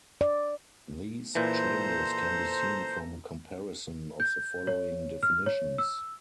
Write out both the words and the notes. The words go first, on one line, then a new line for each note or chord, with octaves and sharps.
These changes can be seen from comparison of the following definitions.
D5
A#2 E3 A4 C5 A#5
G6
C#5
F6
C#5
E6